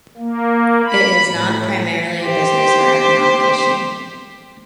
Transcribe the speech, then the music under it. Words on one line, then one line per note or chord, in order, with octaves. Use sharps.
It is not primarily a business or economic issue.
A#3
B5
A2
G4 C5